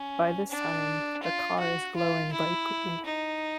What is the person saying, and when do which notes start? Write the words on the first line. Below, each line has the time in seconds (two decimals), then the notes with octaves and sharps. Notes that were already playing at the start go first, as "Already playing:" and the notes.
By this time, the car is glowing bright green.
Already playing: C#4
0.50 D4
1.23 F4
1.60 F#4
1.96 F4
2.33 E4
3.06 D#4